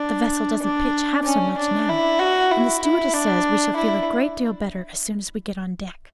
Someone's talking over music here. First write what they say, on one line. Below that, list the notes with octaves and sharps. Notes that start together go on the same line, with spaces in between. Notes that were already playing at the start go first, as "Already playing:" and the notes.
The vessel doesn't pitch half so much now, and the stewardess says we shall feel a great deal better as soon as we get on deck.
Already playing: D4
D4
C#4
D4
E4
F#4
E4
E4
D4
E4